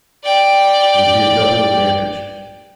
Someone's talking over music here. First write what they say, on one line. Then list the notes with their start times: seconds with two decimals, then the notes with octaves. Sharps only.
It would be a double advantage.
0.25 D5 G5